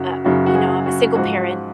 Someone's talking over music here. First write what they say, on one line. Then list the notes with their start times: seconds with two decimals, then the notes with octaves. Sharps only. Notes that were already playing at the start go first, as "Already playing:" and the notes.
uh you know, I'm a single parent
Already playing: F#2 C#3 F#3 F#4
0.25 F#2 C#3 F#3 F#4
0.46 F#4
0.55 G#4
0.86 F#4
1.16 G#2 F3 F#4